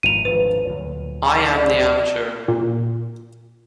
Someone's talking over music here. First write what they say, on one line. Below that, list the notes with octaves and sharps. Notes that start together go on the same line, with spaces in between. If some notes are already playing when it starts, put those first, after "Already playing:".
I am the amateur.
G#1 B2 F3 D#7 F7
G#1 D2 F3 B4
D2 A#2 F#3
D5
A#2